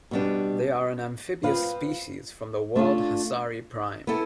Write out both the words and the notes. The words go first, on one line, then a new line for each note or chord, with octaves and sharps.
They are an amphibious species from the world Hasari Prime.
B2 G3 B3 D4
F3 C4 F4 B4 F5
A3 D4 F4
B3 E4 A4